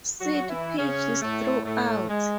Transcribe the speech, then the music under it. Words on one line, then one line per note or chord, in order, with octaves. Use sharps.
Seat pitch is throughout.
F#3 F#4
E3 E4
C#3 C#4
A2 A3
A2 A3
G#3